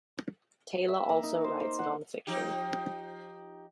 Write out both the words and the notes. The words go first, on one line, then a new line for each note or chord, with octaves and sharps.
Taylor also writes nonfiction.
E5
A#3
D#4
C5
C5
F#5
F3 D#4 G4